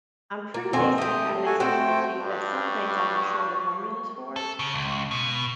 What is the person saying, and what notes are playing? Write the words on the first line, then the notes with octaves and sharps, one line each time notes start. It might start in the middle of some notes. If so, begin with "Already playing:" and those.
I'm pretty decent at an Excel spreadsheet, but some things I'm not sure the formulas for.
A#3
F2 D3 D#3 C4 G#5
A3 G4 D#6
F#4 A4 G#5
A3 C4 F#4 A4 G5
G2
C#6
A4
C#3
C#2
B2